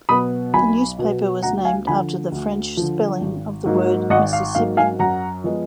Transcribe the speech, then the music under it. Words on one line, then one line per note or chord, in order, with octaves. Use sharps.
The newspaper was named after the French spelling of the word "Mississippi".
B2 F#3 B3 B5 D#6
B1 G#5 B5
B2 F#3 B3
D2 F#5 A#5
F5 G#5
D3 F3 G#5 B5
D2
D3 F3
G#1
G#2 F#3 A#3
G#1 D#5 F#5
F5
G#2 F#3 A#3 F5
F5 G#5
F#2 F#5 A#5
F3 G#3 B3